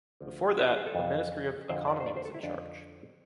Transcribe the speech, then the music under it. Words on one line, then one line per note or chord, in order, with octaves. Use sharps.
Before that, the Ministry of Economy was in charge.
D2 D3 F3
E4
F4
G#4
A4
F2 E3
F2 D3 F3 C5
D5
C5
D5
C5
A4
E4
F2 D3 F3 D4